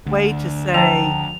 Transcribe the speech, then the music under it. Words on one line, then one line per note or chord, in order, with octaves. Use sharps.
way to say
D2
F3 C5 G5 A5 A#5 F7